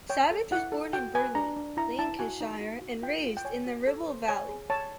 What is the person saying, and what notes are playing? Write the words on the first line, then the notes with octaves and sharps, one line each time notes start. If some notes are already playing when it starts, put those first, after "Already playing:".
Savage was born in Burnley, Lancashire and raised in the Ribble Valley.
C#5 G5
A4
E4 F#5
A4
F#4 G5
B4 G#5
D4 A#5
D4
E4 A#5
E4 A5
F#4 G#5
D#4
F#4
F#4
F4 G5
F4
G5
C#5 G#5
F#4
A4
C5
C#5 G#5
G#4
C#5 A5